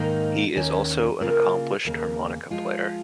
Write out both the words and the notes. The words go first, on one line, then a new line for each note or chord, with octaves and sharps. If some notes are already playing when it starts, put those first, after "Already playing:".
He is also an accomplished harmonica player.
Already playing: G#2 D#3 A#3 D#4 A#4
D#2 D#3 C#4
C#3 A#3 F4 A#4
D#2 C#3 A#3
F3 G#3 F4